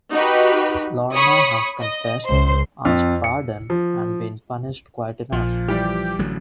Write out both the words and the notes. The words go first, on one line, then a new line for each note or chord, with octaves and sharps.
Lorna has confessed, asked pardon, and been punished quite enough.
D#4 F#4 G4 B4
C#5 B5 C#6 D#6
D#5
C#2 C5 C6
F2
C#7
F3
A#1 A#2 F3
E3 G3 G4 D5
A1 D3 F#3